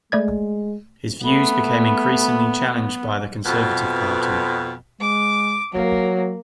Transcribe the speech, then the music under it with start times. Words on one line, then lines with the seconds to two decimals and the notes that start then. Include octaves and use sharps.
His views became increasingly challenged by the Conservative Party.
0.12 G#3 A3 D5 G#6
1.24 A3 B3 B5
3.45 F2 B2
5.00 G#3 D6
5.74 F#3 A#3